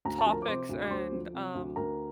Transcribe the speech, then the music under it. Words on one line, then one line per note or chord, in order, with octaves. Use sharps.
topics and um
D2 A#5
A5
F3
A#4 A#5
D6
C3 C5 C6
D2
D6
D2 C5 C6
F3
C3
D2
D2 A#4 A#5